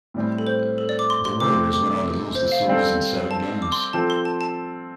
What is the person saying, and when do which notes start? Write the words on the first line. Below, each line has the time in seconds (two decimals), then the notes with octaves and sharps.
The Warriors went on to lose the series in seven games.
0.14 A2 G3 C4
0.38 A4
0.47 C5
0.78 A4
0.89 D5
0.99 D6
1.10 C6
1.25 C6
1.40 C3 A3 C4 D6
1.73 D6
2.35 C5
2.52 F5
2.67 G3 C4 A4
3.31 A5
3.62 D6
3.72 C6
3.84 C6
3.93 F3 C4 A4 A5
4.10 C6
4.25 A5
4.41 A5